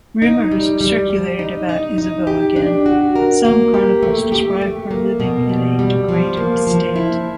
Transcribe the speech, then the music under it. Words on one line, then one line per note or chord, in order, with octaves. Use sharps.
Rumors circulated about Isabeau again; some chronicles describe her living in a "degraded state".
D#4
G3
G3
G3
D#4
D#4
D#4
G4
D4
F#4
A#4
A#3
G4
A3
G4
A3
A#3
B2
G3
G3
F3
A#3
F3
E4